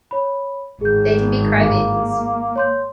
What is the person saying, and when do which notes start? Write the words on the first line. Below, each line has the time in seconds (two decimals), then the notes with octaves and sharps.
They can be crybabies.
0.11 C#5 B5
0.81 G#1 G#4 G6
1.52 A#3
2.56 C#5 C6 G6